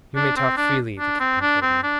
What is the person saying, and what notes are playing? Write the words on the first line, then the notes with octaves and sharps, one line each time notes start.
"You may talk freely," the captain told me.
D4
C4
D4
D4
C4
D4
C4
D4